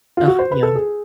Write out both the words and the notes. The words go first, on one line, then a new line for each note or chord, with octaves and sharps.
Ah, yum.
F4
F#4
C5
B4
A4
G#4